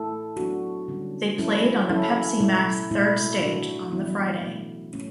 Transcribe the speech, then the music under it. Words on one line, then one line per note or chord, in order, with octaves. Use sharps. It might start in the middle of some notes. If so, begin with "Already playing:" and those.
They played on the Pepsi Max third stage on the Friday.
Already playing: A3 E4 A4
F#3 B3 D4 F#4
D3 G3 C#4
F#3 C#4 E4 A4
F#3 C#4 E4 A4
B2 A3 E4
B2 A3 E4
B2 A3 D4 F#4
E3 B3 E4
B2 F#3 A3
A3 C#4